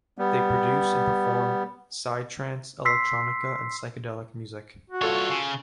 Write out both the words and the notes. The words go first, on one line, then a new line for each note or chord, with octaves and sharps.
They produce and perform psytrance, electronica, and psychedelic music.
G3 B3
C6 E6 B6 C7
F#4
G2 F4 A4 C#5 C#6
C#3